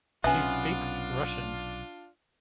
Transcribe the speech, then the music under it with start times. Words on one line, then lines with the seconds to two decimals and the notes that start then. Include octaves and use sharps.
She speaks Russian.
0.24 B1 C3 B3 C#4 D4 F4 E5 G#5